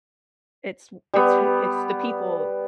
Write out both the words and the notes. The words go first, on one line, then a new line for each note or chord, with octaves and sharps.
it's w it's who it's the people
G3 B3